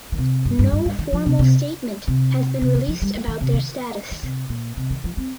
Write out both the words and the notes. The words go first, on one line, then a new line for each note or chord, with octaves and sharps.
No formal statement has been released about their status.
D#3
C3
G2
G2
F2
G2
G2
D#3
F3
C3
C3
C3
C3
D#3
F3
G3
F3
D#3
C3
D#3
D#3
C3
A#2
C3
D#3
F3
C4